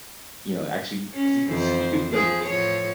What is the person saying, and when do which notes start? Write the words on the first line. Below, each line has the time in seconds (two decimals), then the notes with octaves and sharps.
you know, actually 'cause you could s you could, like, s
1.13 C#4
1.49 F2 E3 C5
2.11 F3 G#4
2.44 A2 F3 C#5